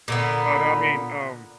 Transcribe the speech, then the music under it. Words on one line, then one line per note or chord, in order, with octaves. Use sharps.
but, I mean, um
A#2 D3 B3